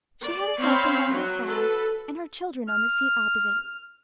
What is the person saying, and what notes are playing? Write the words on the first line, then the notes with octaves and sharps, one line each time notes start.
She had her husband by her side, and her children on the seat opposite.
D5
C4 C5 C#5 F5 B5
F#3
A4 B4
F6